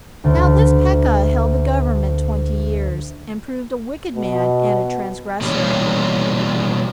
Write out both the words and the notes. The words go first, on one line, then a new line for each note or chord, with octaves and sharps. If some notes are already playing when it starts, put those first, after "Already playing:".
Now this Pekah held the government twenty years, and proved a wicked man and a transgressor.
D2 D3
B2
B2 E3 G3 G#3 A#3 C#4